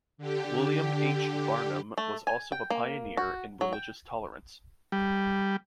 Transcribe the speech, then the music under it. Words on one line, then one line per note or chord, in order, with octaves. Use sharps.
William H. Barnum was also a pioneer in religious tolerance.
D3 G4
A3
G#5
G5
A#3
F#4
F#3
G5
G3